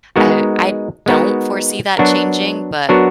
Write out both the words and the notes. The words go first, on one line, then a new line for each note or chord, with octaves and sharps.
I uh, I don't foresee that changing, but
G#3 B3 D#4 F#4 A#4
G#3 B3 D#4 F#4 A#4
F#3 B3 D4 F#4 A#4
F#3 B3 D4 F#4 A#4